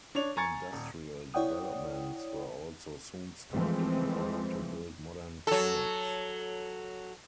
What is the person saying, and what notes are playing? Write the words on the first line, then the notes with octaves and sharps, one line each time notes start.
Industrial developments were also soon started in order to build modern cannons.
D4 C#5 F7
G#5 A#5 C#6 G#6 A6 C#7
D#1
E4 C#5 D5 F#5 G5 D#6
E3 F3 G#3 A3 C4
F#3 A4